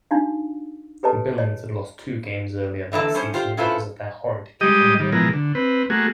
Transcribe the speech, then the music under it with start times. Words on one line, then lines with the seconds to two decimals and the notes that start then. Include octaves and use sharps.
Billings had lost two games earlier that season because of their horrid kicking game.
0.11 D4 D#4 F#4 F5
1.03 G4 A4 B4 C#5 D#5 A5
1.38 C#5 D#5
2.92 D3 E3 A#3 A4
3.14 G3 C#4 C5
3.34 F4 G4 C5
3.57 C#4 E4 F4 A4 B4 C5
4.61 G3 G#3 G4 D#5 D#6
4.99 D#3 G3
5.12 B2 E3 F3 G#3 A#4
5.33 D3
5.55 C4 B4
5.90 A3 A#3 F#4 G#4